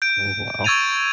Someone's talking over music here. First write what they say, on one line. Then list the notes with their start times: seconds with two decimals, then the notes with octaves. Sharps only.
Oh wow.
0.02 G6 D7
0.64 C#6 E6 G#6 A6 D#7 F7